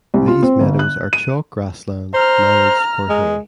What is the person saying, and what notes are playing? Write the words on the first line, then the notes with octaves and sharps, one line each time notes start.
These meadows are chalk grassland managed for hay.
C2
F4
C4
G1
F#6
D#7
C5 A#5 F6
G#3